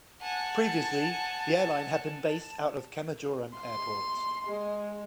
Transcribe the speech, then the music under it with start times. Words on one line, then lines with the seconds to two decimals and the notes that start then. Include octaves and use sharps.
Previously, the airline had been based out of Kemajoran Airport.
0.21 F#5 G#5 A5
3.58 C6
4.48 G#3